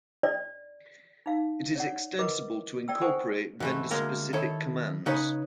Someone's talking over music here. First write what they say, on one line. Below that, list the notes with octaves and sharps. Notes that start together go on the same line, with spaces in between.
It is extensible to incorporate vendor specific commands.
D5
D#4 F5
C#5 D5 F#5
A#4 B4 D#5 D6
D5 G5 E6
A4 C5 F#5 G#5 C#6
G#2 E3 A3
D2 G#3 A#3 A#5
D#3 E4 A4 C#5
C#3 D#4 B4 C#5